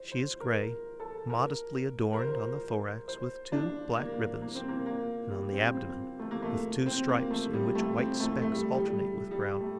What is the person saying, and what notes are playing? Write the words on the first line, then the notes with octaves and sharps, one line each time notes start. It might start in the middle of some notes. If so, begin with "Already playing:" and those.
She is grey, modestly adorned on the thorax with two black ribbons and on the abdomen with two stripes in which white specks alternate with brown.
Already playing: C5
C5
A#4
A4
A#4
A#4
C5
C5
D4
A#3
A#3
C4
A#3
A#3
G3
C4
C4
A3
A#3
A3
C4
A#3
A3
G3
A3
C4
A3
A3
G3
G3
G3
G3
A3